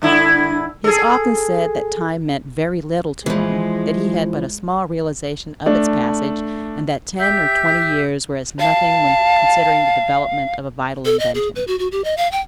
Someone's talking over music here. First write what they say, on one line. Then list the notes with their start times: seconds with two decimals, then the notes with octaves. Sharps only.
He has often said that time meant very little to him, that he had but a small realization of its passage, and that ten or twenty years were as nothing when considering the development of a vital invention.
0.02 G2 D3 E4
0.84 G#4 A4
3.26 E3 F3 G#3
5.66 A3 D4
7.19 G4 E5 E6 G6
8.60 F5 A5
11.05 A4
11.20 D#5
11.35 G#4
11.56 B4
11.68 F#4
11.79 F#4
11.92 G4
12.04 D#5
12.17 F5
12.32 G5